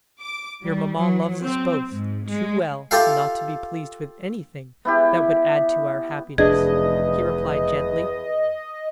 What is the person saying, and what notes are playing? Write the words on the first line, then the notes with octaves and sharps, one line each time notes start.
"Your mamma loves us both too well not to be pleased with anything that would add to our happiness," he replied gently.
D6
G3
F#3
C4
G#2
G#3
F4 G4 A4 E5 F5
B3 E4 G4
F1 E2 D4 G#4 D#5